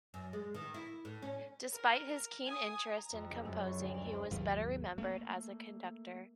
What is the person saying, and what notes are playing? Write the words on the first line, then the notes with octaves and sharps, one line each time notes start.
Despite his keen interest in composing, he was better remembered as a conductor.
F#2
G#3
D#3
E4
A2
C#4
A#4
G#5 D#6
A#5
F2
C#2
F#2
C#6
D2
D5
C5
G#1 D#2 F#3
A3 A#3